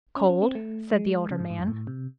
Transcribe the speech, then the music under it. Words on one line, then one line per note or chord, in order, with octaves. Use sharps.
"Cold?" said the older man.
C#4
C#4
C4
A3
G#3
C#3
G#2
G#2
F#2
A2
C3